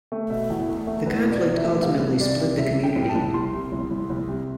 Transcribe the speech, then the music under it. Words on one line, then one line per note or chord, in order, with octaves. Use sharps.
The conflict ultimately split the community.
A3
B2 E5
E2
A3
A3
E2 B4
B2
D5
B2
E5
A3
C3 F5
C2
C3 D5
C3
C2 E5
C3
G5
C2
A5
C2
C2 C6
C3
C2
C2
C2
C3